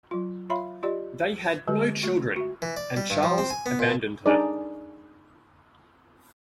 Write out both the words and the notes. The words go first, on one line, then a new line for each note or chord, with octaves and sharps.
They had no children and Charles abandoned her.
F#3 F4
F4 C#5 E5 F5 B5 C6
F4 G4 D5 D#5
D3 G#3 G4 A4 B4 D#5
A3 F#4
F#4 E5
E3
D5
G3
G2
F3
C4
G#5
B3
A#2
D4 D#4 G#4 D5